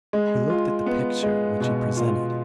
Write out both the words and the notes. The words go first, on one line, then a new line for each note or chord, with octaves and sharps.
We looked at the picture which he presented.
G#3
F4
B3
G#3
B2
F4